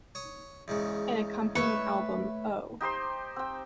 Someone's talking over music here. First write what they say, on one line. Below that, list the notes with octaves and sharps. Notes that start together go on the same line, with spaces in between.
An accompanying album, Oh!
C#5 D#6
E2 G#2 C#3
A3 B4 C#5 E5 C#6
D#4 G4 C5 C6
C4 G5